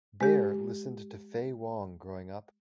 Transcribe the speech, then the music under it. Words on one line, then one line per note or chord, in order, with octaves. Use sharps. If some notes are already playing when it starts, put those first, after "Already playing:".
Bear listened to Faye Wong growing up.
G#3 G4